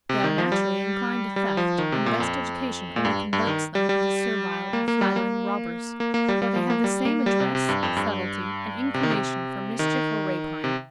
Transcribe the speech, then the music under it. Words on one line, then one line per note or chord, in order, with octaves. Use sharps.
They are, naturally, inclined to theft, and the best education only converts them into servile and flattering robbers; for they have the same address, subtlety, and inclination for mischief or rapine.
C3
D#3
F3
G3
G3
F3
D#3
C3
A#2
F2
A#2
G2
G2
D#3
G3
G3
A#3
A#3
G3
A#3
A#3
A#3
G3
G3
F3
A#3
G3
A#3
G3
C3
C3
G2
F2
G2
C3
D#3
C3
D#3
C3